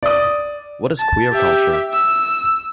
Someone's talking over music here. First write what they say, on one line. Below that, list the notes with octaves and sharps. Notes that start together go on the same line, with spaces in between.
What is queer culture?
D5 D#6
A5
G4 E5
E6